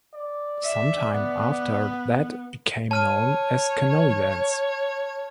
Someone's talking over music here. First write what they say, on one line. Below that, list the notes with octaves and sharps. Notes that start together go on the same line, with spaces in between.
Some time after that it became known as "Canoelands".
D5
E5
B3
C#5 A5 F6 D#7